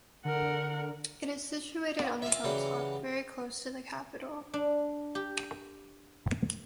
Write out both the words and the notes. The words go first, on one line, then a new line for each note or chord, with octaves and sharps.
It is situated on a hilltop, very close to the capital.
D3 A#4 F#5
F4 E5
C#3 E3 F#3 G3
D4
G4